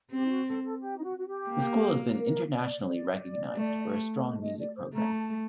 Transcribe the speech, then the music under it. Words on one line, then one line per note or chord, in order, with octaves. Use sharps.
The school has been internationally recognized for a strong Music program.
C4 G4
D#4
F#4
A4
A4
G4
D#4
F#4
F#4
G4
A#3
A#4
D5
D5
A3
D#5
D#5
D5
C5
A3 A#5
A5